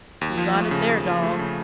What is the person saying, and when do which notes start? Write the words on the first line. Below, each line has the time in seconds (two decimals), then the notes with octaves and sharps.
'You got it there, Doll.
0.21 D#2
0.38 F3
0.55 A3
0.71 C#3
0.88 D#2
1.06 F3
1.23 A3
1.39 C#3